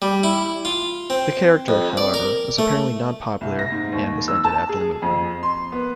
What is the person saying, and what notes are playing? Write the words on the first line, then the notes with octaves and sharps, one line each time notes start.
The character, however, was apparently not popular and was ended after the movie.
G3
E4
F4
C4
F2
D5
A#4
A3
C2
A#6
G#2
D#2
E6
A5
G#4
F2
C6
B3